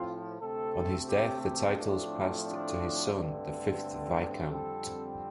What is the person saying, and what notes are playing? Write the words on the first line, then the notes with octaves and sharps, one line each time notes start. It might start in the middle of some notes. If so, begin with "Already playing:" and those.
On his death the titles passed to his son, the fifth Viscount.
Already playing: A2 F3 C4 F4
D2 C3 A3 C4 A4
G4
G4
A2 F3 A3 C4 D4
D4
G2 D3 A3 C4
F2 D3 G3 C4 A4